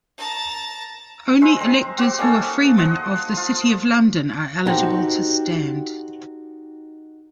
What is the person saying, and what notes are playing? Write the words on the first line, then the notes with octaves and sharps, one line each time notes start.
Only electors who are Freemen of the City of London are eligible to stand.
A5 A#5
G#3 C5 B5 E6
C4 A#5
C4 F#4 G4
A#3 C#4 D#4 A4
C5 D#5 F#5
F4
B3 D#4 F#4 G4 A4 C5